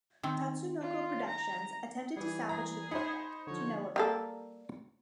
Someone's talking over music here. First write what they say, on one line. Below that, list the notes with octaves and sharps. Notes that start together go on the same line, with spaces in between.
Tatsunoko Productions attempted to salvage the project, to no avail.
D#3 C4
F4
A#5
E3 G3 G#4
G#4 A#5
D#4 C5 B5
D3 F3 C#5
G3 A#3 A4